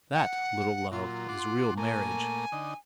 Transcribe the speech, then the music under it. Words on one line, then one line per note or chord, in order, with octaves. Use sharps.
That, little Love, is real marriage.
F#5
A#2 F#3 F4
F#5 C6 D6
A#2 A3 A#3 G#5
D3 D#4